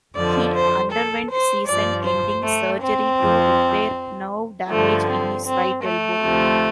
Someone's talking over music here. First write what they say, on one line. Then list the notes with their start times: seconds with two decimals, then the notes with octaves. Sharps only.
He underwent season-ending surgery to repair nerve damage in his right elbow.
0.15 F2 D3 F3 D5
0.53 C5
0.91 A4
1.29 C5
1.66 G2 F3 D5
2.04 C5
2.43 A3
2.80 C4
3.18 F2 F3
4.69 G2 D3 F3 A3
5.07 C4
5.45 C4
5.83 A3
6.21 D2 C3 F3